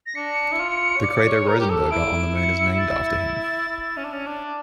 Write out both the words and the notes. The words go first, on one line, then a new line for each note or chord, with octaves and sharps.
The crater Rosenberger on the Moon is named after him.
A#6
D4 C#7
E4
F4
C#5
D5
C#5
A#4
G4
A4
E4 D7
C#7
A6
E4
C#4
D4
C#4
D4